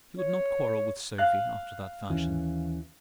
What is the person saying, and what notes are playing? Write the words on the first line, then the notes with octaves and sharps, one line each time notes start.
She would not quarrel with Sophie after that fashion.
C#5
F5 F#6
D#2 E3 C#4